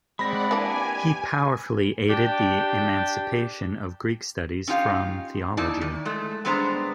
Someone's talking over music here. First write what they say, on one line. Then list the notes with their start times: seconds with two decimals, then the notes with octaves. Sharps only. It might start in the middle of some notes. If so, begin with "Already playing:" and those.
He powerfully aided the emancipation of Greek studies from theology.
0.19 G#3 C4 D5 F#5 B5 A#6
0.51 E3 A#3 D4 G4 G#5
2.09 D4 G4
4.68 C#4 D#4 F4 G4 F5
5.57 A#2 D#4 E4 D5 A5
5.81 D#3
6.05 G#3 A3
6.45 G2 G#3 B3 D4 C5 A#5